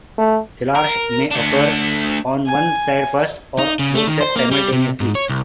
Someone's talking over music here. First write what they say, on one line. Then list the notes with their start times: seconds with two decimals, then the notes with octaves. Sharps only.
Thelarche may occur on one side first, or both sides simultaneously.
0.18 A3
0.76 A#4
1.31 A3 D4
2.46 G#5
3.59 D#4
3.79 C#3
3.95 A3
4.07 D#3
4.21 C5
4.36 A#3
4.51 G3
4.72 C3
5.00 G#2
5.15 C#5
5.29 C2